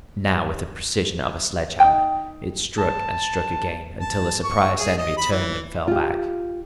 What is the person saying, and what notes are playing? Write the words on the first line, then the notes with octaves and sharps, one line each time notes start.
Now with the precision of a sledge-hammer it struck, and struck again--until the surprised enemy turned and fell back.
D#4 G5
A5
A5
C#6
G#4
D#5
B5
E3
F4 G4